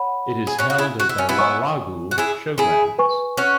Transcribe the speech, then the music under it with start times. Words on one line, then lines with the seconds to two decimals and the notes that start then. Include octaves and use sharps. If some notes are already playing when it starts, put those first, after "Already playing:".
It is held at the Warragul showgrounds.
Already playing: C#5 F#5 B5
0.47 G#4
0.59 C#4 F#4
0.70 F#4
0.79 E4 G#4
1.00 F#4
1.09 E4
1.18 C#4
1.29 B3 E4
1.39 C#5 G#5 C#6
2.11 F#4
2.18 E4 G#4
2.58 E4 G#4
2.99 B4 G#5 C#6
3.37 C#4 F#4